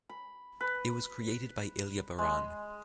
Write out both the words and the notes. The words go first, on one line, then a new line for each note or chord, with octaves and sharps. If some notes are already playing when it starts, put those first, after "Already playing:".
It was created by Ilya Baran.
B5
B4
G#3